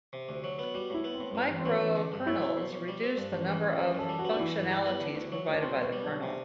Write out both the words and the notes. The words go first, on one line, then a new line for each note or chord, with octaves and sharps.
Microkernels reduce the number of functionalities provided by the kernel.
C3
D2
F#3
B3
G3 F#4
A2 E4
B3
C4
A2
B3
G2 C4
A1
C4
F#3 B3
A1
D3
G2
F#3 E4
C4
B2
B1
G3
C4
G2
A1
E3
A1
E3 B4
F#2 A4
G3
F#4
B3
D4
E3 E4
G2
G3
B3
D3
D2
F#3
D2
D4
B2 C4
B1
B3
G3
D4
B1
C3